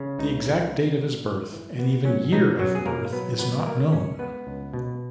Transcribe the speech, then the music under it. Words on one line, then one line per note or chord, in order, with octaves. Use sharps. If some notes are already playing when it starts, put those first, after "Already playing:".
The exact date of his birth and even year of birth is not known.
Already playing: C#3
C#2 D#4
E3
B3
G#3
G#2
E3
B3
F#3 C#4
B2 D#4
F#3 C#4 F#4
G#4
B2 A#3 A#4
F#3 B3 B4
B2 B3 B4
B2 A#3 A#4
C#2 C#4 C#5
G#3 B3 B4
C#2
B2